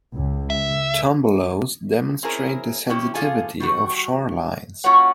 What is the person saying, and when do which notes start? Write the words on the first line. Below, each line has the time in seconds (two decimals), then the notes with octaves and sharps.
Tombolos demonstrate the sensitivity of shorelines.
0.15 C#2
0.50 E5
2.23 C4 C#4 E4 G#4 A#4
2.89 C3 C#4 E4 G4
3.14 A#2 F4 G#4 A4 G#5
3.60 D#3 G3 F#4
4.84 A#3 C#4 F4 F#4 C#5 F#5